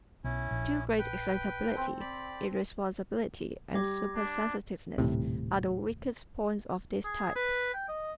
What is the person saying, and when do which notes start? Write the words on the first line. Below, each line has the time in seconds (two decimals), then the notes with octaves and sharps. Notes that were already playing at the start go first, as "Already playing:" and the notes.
Too great excitability, irresponsibility and supersensitiveness, are the weakest points of this type.
0.24 B1 C#4 E4
0.51 A#1
0.99 B4 G5
1.74 C4 A4
2.00 D5 B5
3.74 G3 D6 G#6 A#6
4.16 D4
4.98 D#1 A#1 A2 C3
7.05 G#4
7.36 B4
7.74 G5
7.89 D#5